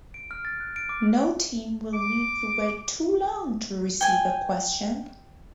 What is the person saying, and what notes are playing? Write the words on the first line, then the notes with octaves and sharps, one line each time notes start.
No team will need to wait too long to receive a question.
D7
F6
A6
F#6
D7
D6
D6
G5 G#5